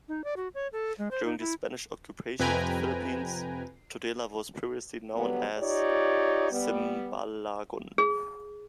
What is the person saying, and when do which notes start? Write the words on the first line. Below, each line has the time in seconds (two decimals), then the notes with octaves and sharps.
During the Spanish occupation of the Philippines, Tudela was previously known as Simbalagon.
0.08 D#4
0.24 D5
0.37 F#4
0.55 C#5
0.73 A4
0.98 G#3
1.11 C5
1.25 D#4
1.39 E4
2.39 F2 C3 B4 G5 G#5 A#5
5.15 D3 F#3 G3 B3
5.58 D#4 F4 G4 C#5 D5
6.51 G3 B3
7.98 G#4